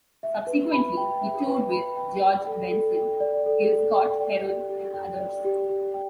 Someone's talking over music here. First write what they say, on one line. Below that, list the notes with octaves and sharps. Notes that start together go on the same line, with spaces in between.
Subsequently he toured with George Benson, Gil Scott-Heron and others.
E5
B4
B5
G5
E5
B4
B5
G5
D5
A4
A4
G5
D5
A4
A4
G5
D5
G4
G4
G5
D5
G4
G4
G5